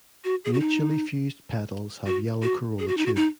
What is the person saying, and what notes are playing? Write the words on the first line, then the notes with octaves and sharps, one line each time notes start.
Mutually fused petals have yellow corolla tube.
F#4
G#4
F#4
D#4
F#4
F#4
G#4
F#4
D#4
F#4
D#4